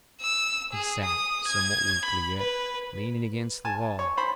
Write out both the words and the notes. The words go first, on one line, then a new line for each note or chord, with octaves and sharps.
He sat, somewhat weakly yet, leaning against the wall.
E6
G#4
D#6
G#6
B5
B4
G#5 A5
C#5
C5 B5